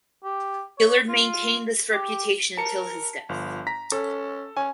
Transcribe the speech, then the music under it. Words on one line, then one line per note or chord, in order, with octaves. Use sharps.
Gillard maintained this reputation until his death.
G4
C#5
F4
G4
A#4 A5 C#7
G1 F3
A#5 A#6 B6
C#4 A4
C#4 G#5